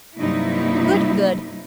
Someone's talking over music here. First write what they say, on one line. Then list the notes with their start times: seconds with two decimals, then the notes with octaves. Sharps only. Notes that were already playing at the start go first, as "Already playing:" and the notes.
Good, good.
0.18 G2 C3 F#3 A#3 D#4 E4